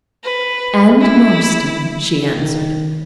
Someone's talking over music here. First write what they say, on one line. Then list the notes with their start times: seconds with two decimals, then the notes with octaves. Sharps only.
"And Marston," she answered.
0.24 B4
1.00 E4
2.16 D#3